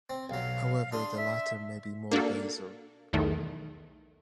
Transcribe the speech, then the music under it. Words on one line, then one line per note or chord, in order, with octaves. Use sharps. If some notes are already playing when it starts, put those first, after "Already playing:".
However, the later may be more basal.
C4
B1 F#3 F5
D4 G#4 C6
E5
A#3 D4 F#4 A4
B1 E2 D#3 A3